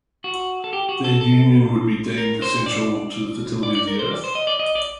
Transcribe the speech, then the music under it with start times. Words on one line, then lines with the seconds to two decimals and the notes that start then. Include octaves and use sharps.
Their union would be deemed essential to the fertility of the earth.
0.24 F#4
0.64 A4
0.73 G4
0.89 F#4
1.04 A4
1.21 A4
2.18 A#4
2.42 C5
2.66 D5
3.63 D5
3.75 D5
3.87 A#4
3.99 C5
4.11 D5
4.24 C5
4.35 D#5
4.47 D5
4.60 D#5
4.75 D5